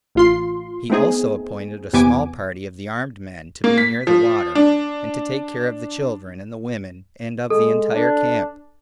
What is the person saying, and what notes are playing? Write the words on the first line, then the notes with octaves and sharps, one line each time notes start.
He also appointed a small party of the armed men to be near the water, and to take care of the children, and the women, and of the entire camp.
A1 F4 C6
A3 B3 C4 D#4 G#4
E2 C3 B3 G#5 D6
A#3
B6
F3
D4
G#3 A4
D4